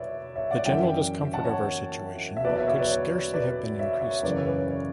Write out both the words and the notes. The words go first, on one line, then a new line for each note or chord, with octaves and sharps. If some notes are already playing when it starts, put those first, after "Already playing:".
The general discomfort of our situation could scarcely have been increased.
Already playing: E2 B2 F#3 B4 C#5 D5 E5
C#5 E5
D5 F#5
F#2 E3 E5 G5
F#5 A5
C#5
E5
E2 B2 F#3 B4 D5
C#5 E5
C#5 E5
B4 D5
C#5
B4 D5
C#5 E5
C#5 E5
F#2 C#3 E3 B4 D5
C#5
B4
C#5
C#5